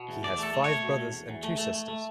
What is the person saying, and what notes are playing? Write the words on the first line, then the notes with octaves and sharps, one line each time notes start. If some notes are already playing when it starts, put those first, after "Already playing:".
He has five brothers and two sisters.
Already playing: B2
E2
E2 D5
A3
A4
A3
A3 C#5
B2
B2
E2
E2
A3
A3
A3
A3